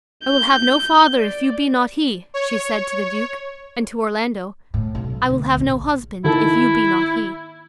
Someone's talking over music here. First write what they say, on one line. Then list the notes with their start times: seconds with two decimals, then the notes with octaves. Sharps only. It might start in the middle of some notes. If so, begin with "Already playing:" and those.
"I will have no father if you be not he," she said to the Duke, and to Orlando, "I will have no husband if you be not he."
0.24 G6
1.17 D5
2.34 C#5
4.74 A2
4.95 B1
5.30 D2
5.57 A#1
6.25 D#3 E4 A4